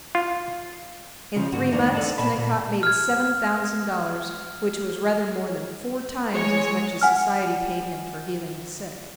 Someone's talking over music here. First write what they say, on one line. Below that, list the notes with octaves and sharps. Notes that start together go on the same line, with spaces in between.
In three months Kennicott made seven thousand dollars, which was rather more than four times as much as society paid him for healing the sick.
F4
C#3 F3
G#2 D3 F#4
E2 G2 A3 A#3 D4 D#4
A4 D5 D#5 A5
A#2 B4 A5 B5
C2 A#2
F6 G#6
G#3 C#5
F#5 G#5 F6